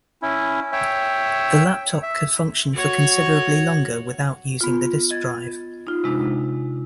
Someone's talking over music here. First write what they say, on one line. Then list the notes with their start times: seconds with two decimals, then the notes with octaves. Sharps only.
The laptop could function for considerably longer without using the disk drive.
0.22 C#4 E4
0.73 C#5 E5 G5
2.03 E5
2.74 F#4 C#5
4.61 B3 F4
5.11 D#5 G#6 A6
5.87 D#4 F4
6.04 C3 G#3 D4 D#4